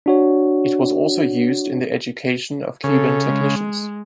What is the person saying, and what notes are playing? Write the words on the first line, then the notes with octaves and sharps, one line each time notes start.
It was also used in the education of Cuban technicians.
D4 F#4 C#5
C#3 A4
G#3